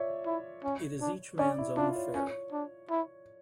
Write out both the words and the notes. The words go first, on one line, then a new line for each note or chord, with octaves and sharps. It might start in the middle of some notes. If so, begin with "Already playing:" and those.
It is each man’s own affair.
Already playing: F4 C#5 D5 E5
E4
C#4
D4
C#4 D5
E4
D4 F4
C#5
C#4 C#5
D4
E4